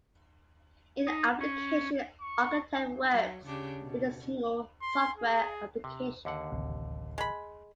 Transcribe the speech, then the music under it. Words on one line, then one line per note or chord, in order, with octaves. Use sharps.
An application architect works with a single software application.
D#4
C#4
C#6
F#3
C#3 D4 G4
B2
C6
G#4
C3
D#2 D3 F#5
D1 A1 C3
G#3 B5